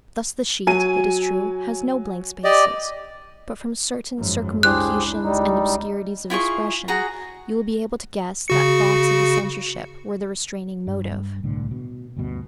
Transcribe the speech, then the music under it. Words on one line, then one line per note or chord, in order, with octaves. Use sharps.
Thus the sheet, it is true, has no blank spaces, but from certain circumlocutions and obscurities of expression you will be able to guess that thoughts of the censorship were the restraining motive.
F#3 G#5 D#7
G4 D5 D#5
G#1 F#2 F3
C#2 D4 E4 G4 G#4 C5 F#6
C#2 G3 D#4
E4 F4 G#4 C#6
F#4 G#4 A#5
C#3 F#4 C#7
G2
C2 A2 D3
B2
D2 G2 B2